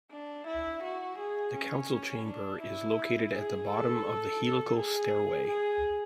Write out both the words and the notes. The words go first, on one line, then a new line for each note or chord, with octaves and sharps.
The council chamber is located at the bottom of the helical stairway.
D4
E4
F#4
G#4
C#4
C#4
D4
E4
G#4
A4
G#4
G#4